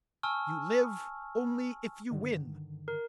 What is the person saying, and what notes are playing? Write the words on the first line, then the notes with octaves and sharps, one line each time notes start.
You live only if you win!
G#5 A5 C#6 E6 F6
G2 D3 D#3
A#4